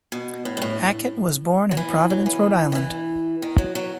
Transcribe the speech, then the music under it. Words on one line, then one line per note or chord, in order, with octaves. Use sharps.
Hackett was born in Providence, Rhode Island.
B2
A2
G2
A2
F#3
E3
F#3
E3
D#3
E3
D#3
F#3
F#3